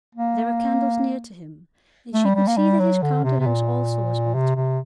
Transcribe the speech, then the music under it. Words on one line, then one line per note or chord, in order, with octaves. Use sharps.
There were candles near to him, and she could see that his countenance also was altered.
A#3
A3
G3
G3
A#3
G3
F#3
D3
C3
C3
A#2
C3
C3